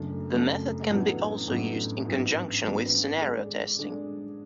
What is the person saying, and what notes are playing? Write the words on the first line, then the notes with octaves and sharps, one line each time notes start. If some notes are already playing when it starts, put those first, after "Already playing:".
The method can also be used in conjunction with scenario testing.
Already playing: F#1 F#2 D3 A3 D4
F#1 F#2 D3 A3 D4
A1 A2 F#3 B3 D4
A1 A2 F#3 B3 D4
A1 G#2 F#3 B3 D4
A1 G#2 F#3 B3 D4
D3 G#3 D4 G#4 D5
D3 G#3 D4 G#4 D5